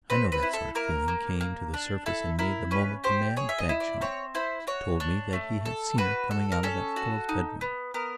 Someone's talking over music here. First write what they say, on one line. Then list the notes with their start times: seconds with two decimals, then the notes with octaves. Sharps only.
I know that sort of feeling came to the surface in me the moment the man Bagshawe told me that he had seen her coming out of that fellow's bedroom.
0.10 C4 B4
0.32 B4
0.43 E4
0.53 A4
0.75 A#3 A#4
1.08 A#3
1.41 A#3
1.74 D4
2.06 E4 A4
2.39 E4 A#4
2.71 C#4 B4
3.04 G4 C5
3.37 G#4 C#5
3.49 E5
3.58 D#5
3.69 E4
3.80 D5
4.01 C4 C#5
4.35 E4 C5
4.67 F#4 C#5
5.00 D4
5.33 A3
5.66 A4
5.98 F#4 B4
6.31 A4
6.52 A#4
6.63 C#4 A4
6.96 F#4
7.29 D#4
7.61 B3
7.94 B3 A#4